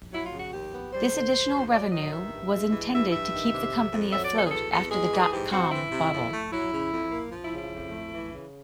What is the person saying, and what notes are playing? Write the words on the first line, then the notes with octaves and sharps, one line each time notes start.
This additional revenue was intended to keep the company afloat after the dot-com bubble.
F#3 E4
F4
C#3
F#4
D#2 G4
B3
G3 C5
D3
D2
D2
F#3 D5
D#3 D#5
G2 E5
G2
G#3
E3
G2 E5
G2 E5
D#3
C3
F2
F2
F#3 E5
D5
B2
A4
G#4
E2 A4
E2 A4
G#3 G#4
E3
G#4
G#2 G4
C4 F#4
E3 E4
C3
F2
A3
F#3 E4
C#3
F2
A#3
F3
E4
C#3
E4
F2
A3
E3
C#3